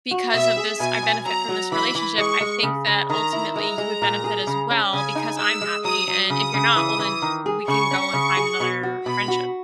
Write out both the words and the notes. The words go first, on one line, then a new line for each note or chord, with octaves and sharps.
because of this, I benefit from this relationship, I think that ultimately you would benefit as well because I'm happy, and if you're not, well, then we can go and find another friendship."
F#4
B2 E5
G#4
B2 G#5
B2
F#3 A#5
F#3
E3 B5
E3
G#3 C#6
G#3
C#3
C#3
D#3 A#5
E4
G#3 A#5
G#3
A#2
G#4
C#3
C#4
C#3 G#5
D#4
G#3 E6
G#3
F#3 D#6
F#3
C#3 D#6
C#3
E3
E3
D#3
G#4
C#3 C#6
C#4
C#3
G#4
B2
F#4
B2 B5
F#4